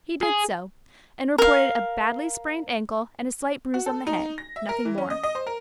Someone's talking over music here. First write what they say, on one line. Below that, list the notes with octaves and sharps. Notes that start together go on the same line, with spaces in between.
He did so, and reported a badly sprained ankle, and a slight bruise on the head; nothing more.
G#4
A#4 F5
F#4
A4
D#4
A#6
E5
A#4
E3
C#4
D#5
D#5
C5
A#4